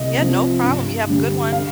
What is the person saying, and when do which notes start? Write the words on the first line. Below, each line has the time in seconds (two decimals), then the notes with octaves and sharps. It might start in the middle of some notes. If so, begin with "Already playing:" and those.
Yeah, no problem you have a good one.
Already playing: C2 D#5
0.18 C3 F3
0.62 G2
1.07 D3 G3 D4
1.52 F5